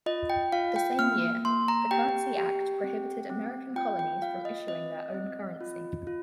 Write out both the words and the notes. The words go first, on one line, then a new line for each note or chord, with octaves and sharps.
The same year, the Currency Act prohibited American colonies from issuing their own currency.
F4 D#5
G5
F4 F5
G5
A#3 F6
A#3 C6
A#5
G4 G5
G4
C4
C4
F4 G5
G5
F4 F5
D#5
C4 D#5
C4
F4
F4